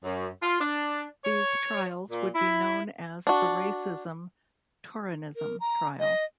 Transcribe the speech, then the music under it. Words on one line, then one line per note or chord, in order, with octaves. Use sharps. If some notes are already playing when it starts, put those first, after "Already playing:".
These trials would be known as the Racism-Turanism trial.
F#2
F4
D4
C#5
A#2
E4
D4 F#4
A#4
A#5
D#5